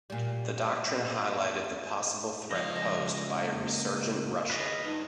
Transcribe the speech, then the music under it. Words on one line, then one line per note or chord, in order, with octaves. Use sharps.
The doctrine highlighted the possible threat posed by a resurgent Russia.
A#2 G3
C#2 F3 D#5 F5
A#3
F4 G#4 B4 D#5
G2 D#4